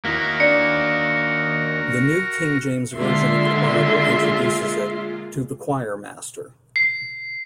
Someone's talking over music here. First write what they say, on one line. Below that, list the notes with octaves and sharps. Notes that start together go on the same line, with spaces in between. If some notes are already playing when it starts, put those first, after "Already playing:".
The New King James Version of the Bible introduces it: To the choirmaster.
D#3 A#3 E4 F#4 A#4 B6
D4 D5 C#7
D3 G#3 A#3 F4 E5 C6
C7